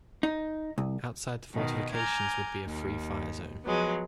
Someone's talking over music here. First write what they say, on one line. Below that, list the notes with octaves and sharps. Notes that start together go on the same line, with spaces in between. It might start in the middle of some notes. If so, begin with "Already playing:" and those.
Outside the fortifications would be a free fire zone.
D#4
C2
B2 D#3
G#5 A#5 D6 F6 G6 G#6
D#2
F3 F#3 G#3 B3